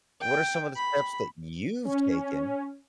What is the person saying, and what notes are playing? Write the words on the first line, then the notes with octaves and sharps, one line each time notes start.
What are some of the steps that you've taken?
G5
B5
C#4